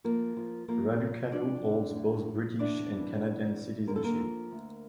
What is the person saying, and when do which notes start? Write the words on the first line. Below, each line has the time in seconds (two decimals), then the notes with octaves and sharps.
Raducanu holds both British and Canadian citizenship.
0.04 F3 A#3 A#4
0.37 F3
0.68 F3 A#3 A#4
1.00 F3
1.32 F3 D4 D5
1.65 D3
1.96 D2
2.28 F3
2.59 E2 D4 D5
2.91 E3
3.23 E2
3.56 E3
3.87 D3 A#4
3.96 A4
4.03 A#3 A#4
4.19 F3
4.51 D2